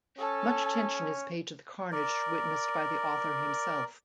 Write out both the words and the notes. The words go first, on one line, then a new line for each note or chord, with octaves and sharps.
Much attention is paid to the carnage witnessed by the author himself.
C#4 A4 A5
A#4 D5